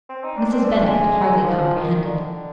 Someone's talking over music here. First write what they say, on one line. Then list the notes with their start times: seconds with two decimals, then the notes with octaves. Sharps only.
Mrs. Bennet could hardly comprehend it.
0.09 C4
0.24 D#4
0.38 D4
0.52 C4
0.64 D4
0.84 G#3
1.44 F3
1.75 D#3
2.05 D3